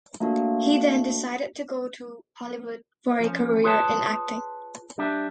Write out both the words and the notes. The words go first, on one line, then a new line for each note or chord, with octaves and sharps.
He then decided to go to Hollywood for a career in acting.
A3 A#3 D4 F4 F#4 F5
F3 C#4
F4 G#4 B4 C#5 G5 A5
G3 D4 E5